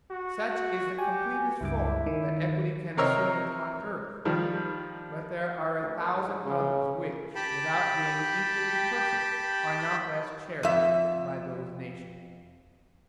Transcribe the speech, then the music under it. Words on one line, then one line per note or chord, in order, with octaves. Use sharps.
Such is the completest form that equality can assume upon earth; but there are a thousand others which, without being equally perfect, are not less cherished by those nations.
F#4
G4 G#5
C#2 G2 E4 D6
D#3
C3 C4 A#4 C#5 D#5 E6
D#3 F3 G3
D2
G#2
C#3
G4 G5 A5 B5
F2 E5